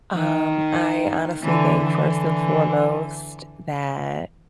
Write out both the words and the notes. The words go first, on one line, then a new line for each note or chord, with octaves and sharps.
Um, I honestly think, first and foremost, that
D#3
D3 E3
D3 E3